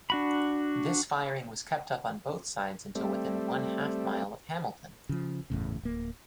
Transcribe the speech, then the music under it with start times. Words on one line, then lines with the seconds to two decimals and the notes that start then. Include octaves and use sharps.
This firing was kept up on both sides until within one-half mile of Hamilton.
0.10 D4 F#4 B5
2.95 G3 A3 C4
5.09 C#3 F3
5.50 G1 E2 A2 C#3
5.83 D1 A#3